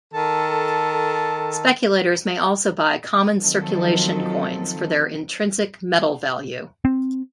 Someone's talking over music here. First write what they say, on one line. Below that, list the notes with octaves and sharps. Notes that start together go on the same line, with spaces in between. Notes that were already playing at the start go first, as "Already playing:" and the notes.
Speculators may also buy common circulation coins for their intrinsic metal value.
D#3 A4
D#3 F3 F#3 C4 A4
C4